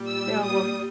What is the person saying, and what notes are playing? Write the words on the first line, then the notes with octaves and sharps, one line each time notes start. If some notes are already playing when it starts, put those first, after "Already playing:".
Yeah, well,
Already playing: A#2 G3
E6
D#6